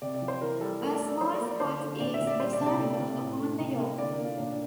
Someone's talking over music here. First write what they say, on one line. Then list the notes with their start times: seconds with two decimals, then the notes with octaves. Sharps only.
A small spot is discernible upon the yolk.
0.02 C3 D5
0.15 D5
0.22 F3
0.28 C5
0.41 E3 A#4
0.61 G3 A4
0.81 A3 A#4
0.94 D5
1.01 A3
1.08 D5
1.21 F3 C5
1.34 D5
1.40 A#3
1.48 D5
1.60 D3 C5
1.80 D3
2.00 A#2 D5
2.14 E5
2.20 A#2
2.27 D5
2.40 G3 C5
2.53 D5
2.60 C3
2.66 D5
2.80 A3
3.00 C3
3.19 A2
3.39 A2
3.59 C3
3.79 A#3
3.98 D3 D5
4.12 A#4
4.19 A#3
4.25 F4
4.38 A#2 D4